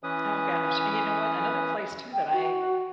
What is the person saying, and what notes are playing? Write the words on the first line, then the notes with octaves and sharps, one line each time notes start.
Oh gosh, and you know what, another place too that I
E3 C#4 B4 D#6
G5
F#4